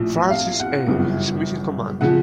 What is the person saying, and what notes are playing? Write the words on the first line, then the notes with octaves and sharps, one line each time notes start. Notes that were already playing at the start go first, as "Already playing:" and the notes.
Francis A. Smith in command.
Already playing: A#1 A2 F3
F5
F#5
G1 F#2 C#3 E3
C#3 F3 F#5